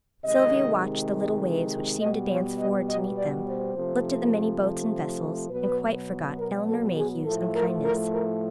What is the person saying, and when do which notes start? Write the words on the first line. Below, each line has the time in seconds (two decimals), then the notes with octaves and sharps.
Sylvia watched the little waves which seemed to dance forward to meet them, looked at the many boats and vessels, and quite forgot Elinor Mayhew's unkindness.
0.25 C3 D#3 G#3 D#5
1.99 B2 G3 B3 D#5
2.29 C#5
2.58 D#5
2.87 D#5
3.16 D5
3.46 C5
3.75 C3 F3 A3
5.49 B2 F#3 B3 B4
6.37 A#4
6.66 A4
6.96 G#4
7.24 A2 F3 A3 A4
7.54 A#4
7.84 A#4
8.13 A#4